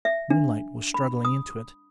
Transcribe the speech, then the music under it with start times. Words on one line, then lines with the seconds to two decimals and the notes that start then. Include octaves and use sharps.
Moonlight was struggling into it.
0.05 E5
0.30 D4
0.94 B5
1.25 D#6